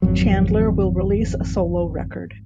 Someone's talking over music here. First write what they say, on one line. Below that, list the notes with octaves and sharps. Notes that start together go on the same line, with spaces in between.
Chandler will release a solo record.
G#1 F2 F#3